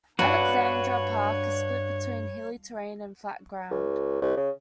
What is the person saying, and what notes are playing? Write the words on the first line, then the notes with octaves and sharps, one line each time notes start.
Alexandra Park is split between hilly terrain and flat ground.
G2 D4 F#4 B4 C#5
C#2
C2
C#3